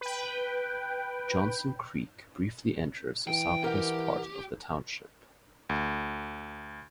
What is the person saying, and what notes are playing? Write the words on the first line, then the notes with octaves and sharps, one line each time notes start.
Johnson Creek briefly enters the southwest part of the township.
B4 G5
E3 G5
G4 A#4 F#5
D2